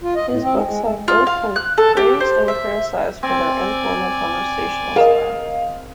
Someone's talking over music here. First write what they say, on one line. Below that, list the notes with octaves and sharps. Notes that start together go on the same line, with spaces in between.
His books have been both praised and criticized for their informal, conversational style.
F4
D#5
A2
C4
G#3
G#3
G#3
F4
F5
F#6
A4
G4
C5
E5
C4 D5 G#5
G#4 A#4 D#5 F5